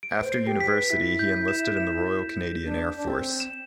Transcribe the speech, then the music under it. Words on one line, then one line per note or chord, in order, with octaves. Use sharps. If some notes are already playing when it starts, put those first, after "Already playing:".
After university, he enlisted in the Royal Canadian Air Force.
D7
B4
C5
C7
G4
B6
B4
E4 B6
G6
E7
E7
D4
D4
C4
E7